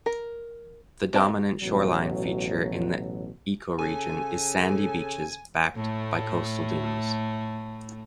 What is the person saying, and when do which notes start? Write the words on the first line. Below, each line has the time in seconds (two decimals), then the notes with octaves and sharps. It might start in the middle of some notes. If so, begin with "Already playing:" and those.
The dominant shoreline feature in the ecoregion is sandy beaches backed by coastal dunes.
0.06 A#4
1.13 C4 A#4 D#5 A5
1.62 A1 B2 F#3
3.79 C#3 A4 G#5
5.76 A2 A3